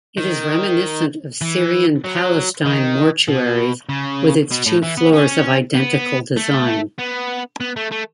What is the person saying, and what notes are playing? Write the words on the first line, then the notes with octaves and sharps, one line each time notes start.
It is reminiscent of Syrian-Palestine mortuaries with its two floors of identical design.
D#3
E3
F#3
D#3
B2
C#3
B2
A2
E3
B3
C#4
B3
A3
B3
B3
A3
A3